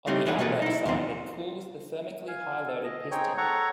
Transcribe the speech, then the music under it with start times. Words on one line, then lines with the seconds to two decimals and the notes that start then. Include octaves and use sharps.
On the outlet side it cools the thermically high loaded piston.
0.07 G3 A3 C4 C#4 D#4 E4
0.26 C2 D3 E3 G#3 G#4 B4
0.39 B2 F#3 A#3 G#4 A4 B4
0.62 D#4 E4
0.85 D#2 B2 F3 C4
2.28 F5 G#5
2.67 A4
2.84 D#5
3.11 C4 D#4 G#4 C#5 G5
3.38 A4 C#5 F#5 A#5 C#6